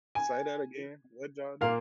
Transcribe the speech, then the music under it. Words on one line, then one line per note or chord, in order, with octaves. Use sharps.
say that again. What did y'all do?
G#5
A#2 A#3 F5